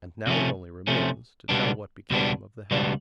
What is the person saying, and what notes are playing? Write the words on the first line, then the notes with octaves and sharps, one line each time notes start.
And now it only remains to tell what became of the head.
C3 F3 A3 C#4
C3 F3 A3 C#4
C#2 B2 G3 B3 D4
C#2 B2 G3 B3 D4
C#2 B2 G3 B3 D4